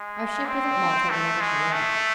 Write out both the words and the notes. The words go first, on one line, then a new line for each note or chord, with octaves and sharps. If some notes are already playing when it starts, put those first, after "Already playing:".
Our ship was at Malta when I got the letter.
Already playing: G#3
C4
A3
G#3
A3